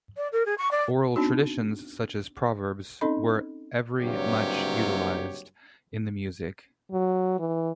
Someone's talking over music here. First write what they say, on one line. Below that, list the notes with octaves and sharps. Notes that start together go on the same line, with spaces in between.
Oral traditions such as proverbs were every much utilized in the music.
D5
A#4
G#4
C#6
D5
B3 C4 D4 D#4 F#4
C4 C#4 D#4 A4 D#5 B5
F#1 G2 C3 F#3 G4 C#5
F#3
E3